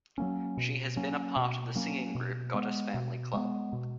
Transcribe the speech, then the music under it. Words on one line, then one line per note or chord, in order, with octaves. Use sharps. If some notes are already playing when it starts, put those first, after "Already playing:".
She has been part of the singing group Goddess Family Club.
F#3 A#3 C#4
B2
F#3 A#3 C#4
B2
F#3 A#3 C#4
B2
G#3 B3
B2
G#3 B3
B2